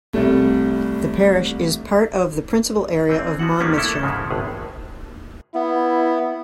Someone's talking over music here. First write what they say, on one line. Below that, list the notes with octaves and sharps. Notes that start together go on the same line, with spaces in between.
The parish is part of the principal area of Monmouthshire.
C2 G3 A3
E3 C4
F3 B3 F#4 F#5
D#3 F3 G3 A#3 C#4 D4
A3 A#3 E4 A4
G#2 C#3 F3 G#3 E4
G#1 A2 G#4
B3 E4